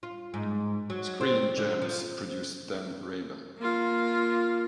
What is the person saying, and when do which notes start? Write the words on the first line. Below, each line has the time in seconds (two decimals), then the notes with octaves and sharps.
Screen Gems produced "Dan Raven".
0.03 F4
0.34 G#2
0.90 F#3
1.21 C4
1.57 D3
1.82 F3
3.58 A#3 F4